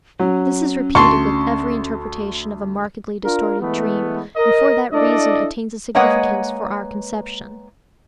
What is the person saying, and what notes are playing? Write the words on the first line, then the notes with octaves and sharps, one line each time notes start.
This is repeated with every interpretation of a markedly distorted dream, and for that reason attains a significance for our conception.
F#3 C#4
D2 A5 C6 C#6
D4 F4 A#4
E3 G#3 A3 B3
A#4 D#5
D4 E4 A4 D5 D#5
G#3 A#3 B4 C#5 D#5 F#5